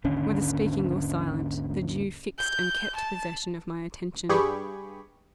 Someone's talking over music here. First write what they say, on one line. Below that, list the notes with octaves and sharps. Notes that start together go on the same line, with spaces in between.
Whether speaking or silent, the Jew fixed and kept possession of my attention.
G#1 D#2 D3 C#4
G6
A5
G2 G4 G#4 B5 C#6